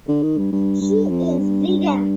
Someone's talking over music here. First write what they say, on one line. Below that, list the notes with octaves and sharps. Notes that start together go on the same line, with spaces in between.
She is vegan.
D3
D#3
G2
G2
G2
F2
G2
G2